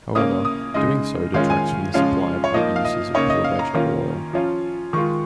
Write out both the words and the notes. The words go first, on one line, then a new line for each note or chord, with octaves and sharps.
However, doing so detracts from the supply of other uses of pure vegetable oil.
C#3 A#3 C#4 D#6
D#6
C#3 G#3 D#4 D#5
D#3 G#3 C#4 F4 F5
G#5
C#3 F3 G#3 C#4 F4 F5
C#5
F3 A#3 D#4 D#5
F5
D#5
C#3 A#3 D#4 C#5
D#5
F5
A#5
D#3 A#3 C#4 F4
F3 C#4 F4
D#3 G#3 F4 C#6